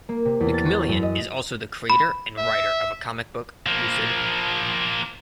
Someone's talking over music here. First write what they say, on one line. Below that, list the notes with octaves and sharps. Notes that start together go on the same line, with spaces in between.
McMillian is also the creator and writer of a comic book, "Lucid".
A#3
C3
E2
A6
C#6
F#2
D#5
B5
E5
F3 A#3